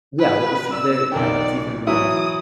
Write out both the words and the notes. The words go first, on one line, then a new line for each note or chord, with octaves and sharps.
Yeah, well, it's there, yeah, that's even like
B4
D5 E6
B1 A#4 D5 G5
E3 F#3 E4 D#6